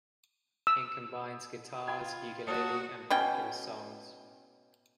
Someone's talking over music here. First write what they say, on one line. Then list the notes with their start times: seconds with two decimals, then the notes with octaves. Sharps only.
It combines guitars, ukulele, and popular songs.
0.67 E6
1.88 F4 G5 B5 G#6
2.47 A#3 F#4 C#5 A5 D#6 C#7
3.10 B2 C#4 G5